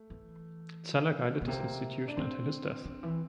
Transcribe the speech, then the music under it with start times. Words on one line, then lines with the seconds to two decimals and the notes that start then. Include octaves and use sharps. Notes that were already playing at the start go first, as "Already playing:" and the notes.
Zeller guided this institution until his death.
Already playing: A3
0.10 E3
1.41 A#2
1.47 C3 A#3
2.08 D4
2.17 D3 C4
2.85 D3
3.03 E3